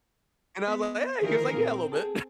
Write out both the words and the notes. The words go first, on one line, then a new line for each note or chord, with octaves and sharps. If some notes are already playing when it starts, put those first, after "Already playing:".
And I was like, "Yeah." He was like, "Yeah, a little bit."
B3
D2 D#3 F3 E4 G#4 A#4
A#2 A#3 C4
G#4 A4